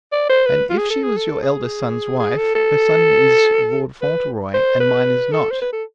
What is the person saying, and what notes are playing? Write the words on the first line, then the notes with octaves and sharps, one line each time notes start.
"And if she was your eldest son's wife, her son is Lord Fauntleroy, and mine is not."
D5
C5
B4
F4
G#4
A4
G#4
A4
G#4
G#4
A4
A4
B4
C5
B4
A4
C5
B4
A4